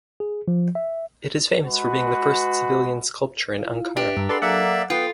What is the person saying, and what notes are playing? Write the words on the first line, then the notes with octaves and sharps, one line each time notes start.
It is famous for being the first civilian sculpture in Ankara.
G#4
F3
E5
G#3 F#4 B4
E4 F4 F5
D4 G4 B4 E5
G2 A#5 E6
G#4 A4 B4 D5 F#5 G#5 C6
F#3 A#3 A4 D5 E5 F#5 A#5
B3 F4 A4 G5